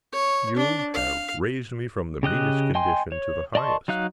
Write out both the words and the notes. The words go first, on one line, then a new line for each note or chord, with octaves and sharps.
You have raised me from the meanest condition to the highest.
C#5
D4
F5
C#3 G4 D#5 F#6
D#5 G5 G#5 C6
C#5
D5 D#5 A5 C6 C#6
F#3 D#4 F5 F#6